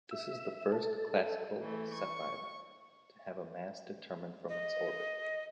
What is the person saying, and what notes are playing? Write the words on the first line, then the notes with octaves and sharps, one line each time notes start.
This is the first classical Cepheid to have a mass determined from its orbit.
E5
A4
E3 A3
C#6
D#5